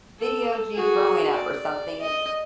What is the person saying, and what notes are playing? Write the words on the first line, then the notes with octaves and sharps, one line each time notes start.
videoed you throwing up or something, and
A4
F#4 G#4
D5
D#5